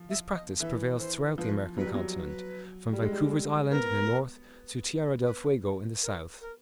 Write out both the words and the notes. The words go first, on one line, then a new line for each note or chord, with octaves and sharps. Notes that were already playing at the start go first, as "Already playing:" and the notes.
This practice prevails throughout the American continent from Vancouver's Island in the north to Tierra del Fuego in the south.
Already playing: F3
E5
D#5
E3 E5
E3 C5
F3 B4
F#3 B4
G3
F#3
B4
G3
G#3
G3
G#3
B3 A#4
B4
A#4
A#4